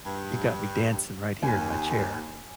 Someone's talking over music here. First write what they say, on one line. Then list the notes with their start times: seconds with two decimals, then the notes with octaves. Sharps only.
you got me dancing right here in my chair.
0.05 G2
1.43 D#2 G#5